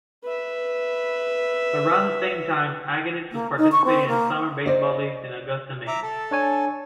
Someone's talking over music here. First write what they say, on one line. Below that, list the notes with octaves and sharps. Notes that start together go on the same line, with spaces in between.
Around the same time, Agganis was participating in summer baseball leagues in Augusta, Maine.
B4 E5
A#3
D#4
C#6
C4
A#3
C5 D5 D#5
E5 A#5 D6
A4 A5
D4 C#5 G#5